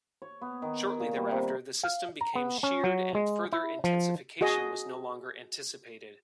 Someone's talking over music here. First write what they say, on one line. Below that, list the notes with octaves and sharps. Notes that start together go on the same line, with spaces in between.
Shortly thereafter, the system became sheared and further intensification was no longer anticipated.
C#5
B3
D#3
A#4
A#2
G3
C3
F5
A#5
B3
C#4
F#3
G#3
E4
F3
F#4 G#4 D#5